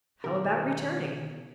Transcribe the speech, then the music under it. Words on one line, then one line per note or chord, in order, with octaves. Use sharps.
"How about returning?"
B2 D#3 G4 A#4